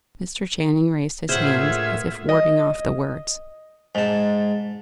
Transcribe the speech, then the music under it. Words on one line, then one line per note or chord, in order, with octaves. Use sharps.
Mr. Channing raised his hands, as if warding off the words.
A#1 A2 F4 G#4 C5 E5 F#5
D#5
G#2 A5